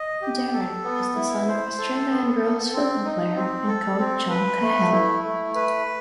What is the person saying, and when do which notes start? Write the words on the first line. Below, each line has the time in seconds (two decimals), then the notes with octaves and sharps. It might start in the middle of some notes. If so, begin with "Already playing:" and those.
Darren is the son of Australian rules football player and coach John Cahill.
Already playing: D#5
0.22 G4
0.53 A4
0.84 B3
1.15 E4
1.48 C5
1.78 A4
2.10 B3
2.41 A4
2.73 C4
3.04 D#4
3.36 C4
3.67 A4
3.98 C4
4.29 B4
4.61 A3
4.92 E4
5.24 A3
5.55 B4